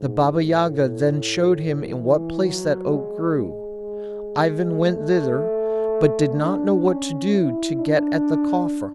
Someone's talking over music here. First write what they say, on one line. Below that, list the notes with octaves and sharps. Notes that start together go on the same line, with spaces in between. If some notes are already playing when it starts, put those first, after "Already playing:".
The Baba-Yaga then showed him in what place that oak grew: Ivan went thither, but did not know what to do to get at the coffer.
Already playing: G#2
A2
E3
F#3
G#3
G#3
A3
D4
C#4
E4
D4